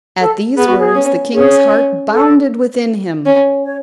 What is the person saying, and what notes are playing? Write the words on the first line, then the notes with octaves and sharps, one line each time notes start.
At these words the king's heart bounded within him.
A4
B3 G#4
F#4
G#4
C#4
C#4 G#4
A4
C#4
C#5